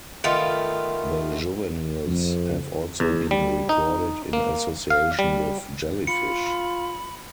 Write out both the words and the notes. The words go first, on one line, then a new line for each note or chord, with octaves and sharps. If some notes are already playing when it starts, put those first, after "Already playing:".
The juveniles have also been recorded in association with jellyfish.
D#3 A3 B3 F4
F2
E2
G3
D#4
A#3
F5
G3
F4 B5 C#7